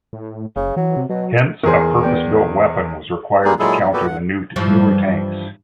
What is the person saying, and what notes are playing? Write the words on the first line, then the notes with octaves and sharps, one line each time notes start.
Hence, a purpose-built weapon was required to counter the newer tanks.
A2
F#1 C#3
E3 F#3
C3
B2 F#3
E2 G#4 A#4 C5
B3 D5 G5
G3 G#3 A#3 D#4 G#4
A#2 F#3 G#3 E4 G#4 A4
F3 B3
A#2 B3 F#4 G4 A4 B4
G2 F#5
G2 E3 F3